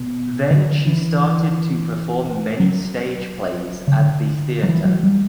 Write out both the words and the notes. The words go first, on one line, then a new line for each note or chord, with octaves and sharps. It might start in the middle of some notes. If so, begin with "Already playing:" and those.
Then she started to perform many stage plays at the theater.
Already playing: B2
D3
E3
F#3
C#3
D3
F#3
E3
F#3
G3